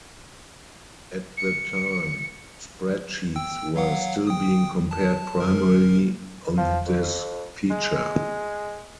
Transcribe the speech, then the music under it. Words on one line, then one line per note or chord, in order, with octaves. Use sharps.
At the time spreadsheets were still being compared primarily on this feature.
C#7
G5 E6
F#3 F5 F#5
G5 D#6
A5
F#2 A#4
F3
F2
G#3